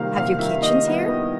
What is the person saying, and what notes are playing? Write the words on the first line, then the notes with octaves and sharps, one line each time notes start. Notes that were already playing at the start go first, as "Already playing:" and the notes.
"Have you kitchens here?"
Already playing: C3 D#3 G3 A#3 F5
C3 F5
D#3 G3 A#3 E5
D#3 D#5
G3 B3 E4
D#3